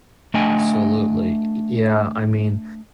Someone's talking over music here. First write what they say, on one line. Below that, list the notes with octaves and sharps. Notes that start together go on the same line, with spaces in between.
Absolutely, y yeah, I mean,
A3 D4 D#5 G5 G#5